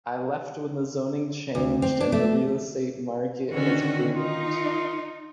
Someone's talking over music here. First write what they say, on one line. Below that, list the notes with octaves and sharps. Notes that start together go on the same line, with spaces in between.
I left when the zoning changed and the real estate market has boomed.
D2
C4
D4
A3
D3 D#3 C#4 F#4
D#4 F4